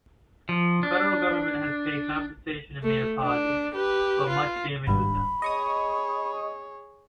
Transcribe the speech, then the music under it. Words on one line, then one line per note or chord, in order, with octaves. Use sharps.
The federal government has paid compensation and made apologies, but much damage was done.
F3
D4
A3
D4
G4 B4
F4
G#1 G2 B5
G#4 C#5 D#5 C#6 D#6